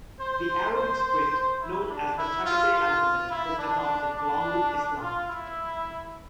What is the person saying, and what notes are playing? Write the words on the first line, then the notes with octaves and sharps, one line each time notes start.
The Arabic script, known as the Chagatay alphabet, was adopted along with Islam.
C5
C5
E4
D4
E4
F4
F4
E4
D4
D4
F4
E4